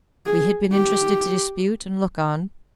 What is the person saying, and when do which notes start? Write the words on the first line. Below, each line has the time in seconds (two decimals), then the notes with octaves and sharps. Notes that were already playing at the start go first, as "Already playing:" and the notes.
We had been interested to dispute and look on.
0.26 G#4
0.72 G4